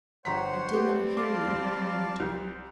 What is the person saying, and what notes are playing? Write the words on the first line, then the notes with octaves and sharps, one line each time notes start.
"I did not hear you," he returned.
G1 C5 C#5 F#5 A#5 B6
G3 B3 C4 G4
D5 F5 A5 D6
C2